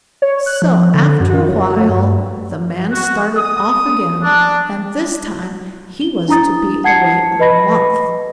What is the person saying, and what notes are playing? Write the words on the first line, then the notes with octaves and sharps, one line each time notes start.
So after a while the man started off again, and this time he was to be away a month.
C#5
F#6
F3
D3
F#2
D#3
F#3
A3
G2
F#4
D#6
D4
G7
D4 E4 A#5 D#6 A6
F#5 A5 G#6 C7 C#7
B4 D#5 B5 A#6